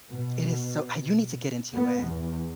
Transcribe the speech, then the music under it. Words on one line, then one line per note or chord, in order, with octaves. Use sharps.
It is, so you need to get into it.
B2
B3
E2